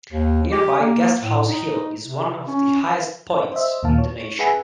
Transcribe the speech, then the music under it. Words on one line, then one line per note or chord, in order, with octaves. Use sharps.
Nearby Guesthouse Hill is one of the highest points in the nation.
D#2
G4
A#3
A2
D#4
C3
C#4
C5 D#5 E5
D#2 A#2 D#3 A#3 F5 A5
C#5
G#4 B4 E5 F#5 G#5